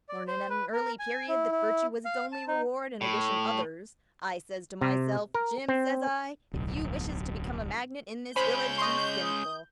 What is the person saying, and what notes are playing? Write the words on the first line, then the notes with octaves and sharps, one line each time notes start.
Learnin' at an early period that virtue was its only reward, an' a-wish-in' others, I says to myself: 'Jim,' says I, 'if you wishes to become a magnet in this village, be sinful.
D5
C5
B4
A#4
G#5
E4
E4
F5
A5
D#4
A2
C3
A#4
C4
D1 B1
G#3 C#4 C5 B5 G6
D#5 C6 C#6
D#6